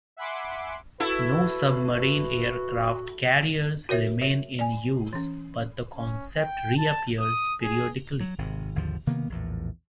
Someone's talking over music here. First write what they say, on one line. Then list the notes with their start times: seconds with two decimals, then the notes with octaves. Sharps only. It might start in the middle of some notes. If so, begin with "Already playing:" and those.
No submarine aircraft carriers remain in use, but the concept reappears periodically.
0.17 E5 F#5 G#5 B5 C6 D6
1.00 E4 F#4 A4 B4
3.89 F#4 A#4 C#5 E5
4.21 C#5 E5
4.59 D5 G#5
5.13 E3 C#4
5.95 C#4
6.37 G5
6.77 A5
7.19 D#6
7.62 G#4
8.20 F#3
8.38 G#1 C3
8.75 G#1 D#2 D3 F3
9.07 C3 D#3 A#3 B3
9.30 A#1 E2 A2